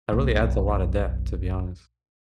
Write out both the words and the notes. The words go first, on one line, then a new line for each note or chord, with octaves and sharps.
That really adds a lotta depth, to be honest.
F#1 B1